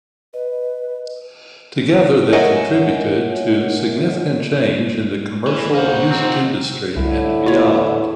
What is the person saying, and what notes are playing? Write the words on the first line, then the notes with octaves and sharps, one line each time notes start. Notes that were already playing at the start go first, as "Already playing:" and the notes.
Together, they contributed to significant change in the commercial music industry and beyond.
B4 D#5
A#4 C#5 D#5 E5 F#5 G#5
E3
D#2 D#4 F#4 C5 F5
F3 A#3 C4
C2 A2 D3 E4
E2 F4 C#5